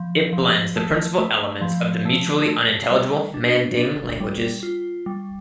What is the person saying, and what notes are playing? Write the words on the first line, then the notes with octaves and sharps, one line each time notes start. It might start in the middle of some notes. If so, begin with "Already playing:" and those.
It blends the principal elements of the mutually unintelligible Manding languages.
Already playing: F3
F3
A3
A3
F3
A3
A3
G3
D4
D4
G3
F4
G3